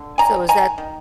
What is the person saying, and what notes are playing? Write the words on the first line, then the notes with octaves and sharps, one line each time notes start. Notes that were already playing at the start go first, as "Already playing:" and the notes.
So is that
Already playing: D3
G3 G#5 A#5
D#3 G#5 A#5
D#3